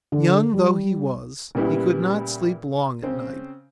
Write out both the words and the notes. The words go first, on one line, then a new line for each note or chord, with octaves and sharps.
Young though he was he could not sleep long at night.
D3
G3
A#2 C#3 G3 B3 E4
C#3 C4 C#4